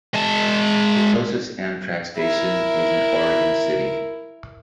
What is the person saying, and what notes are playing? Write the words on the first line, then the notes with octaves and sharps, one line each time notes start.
The closest Amtrak station is in Oregon City.
G#3 A5
E4 A#4